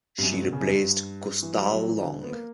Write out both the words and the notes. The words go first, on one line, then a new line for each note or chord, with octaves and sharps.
She replaced Gustav Lange.
G2
F#2
G2
B2
C#3
F#2
G2
E3
F#3
G3
F#3
E3
D3
B3
A#3